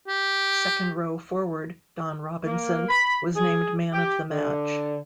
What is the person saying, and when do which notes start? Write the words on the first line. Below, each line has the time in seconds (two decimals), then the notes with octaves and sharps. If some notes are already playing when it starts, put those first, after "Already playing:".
Second-row forward Don Robinson was named man of the match.
0.08 G4
2.45 A#3
2.89 B5
3.36 G#4
3.93 G4
4.30 D3